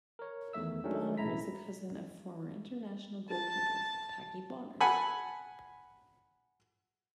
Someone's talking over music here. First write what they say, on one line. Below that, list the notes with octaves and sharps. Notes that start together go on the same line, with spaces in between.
Bonner is a cousin of former international goalkeeper, Packie Bonner.
A#4 C#5
E2 D#3 A3 E5 E6
D#3 F#3 G#3 A3 C#4 D4
A1 B2 E4 A#5 B6
A5
F#5 G#5 A5 B5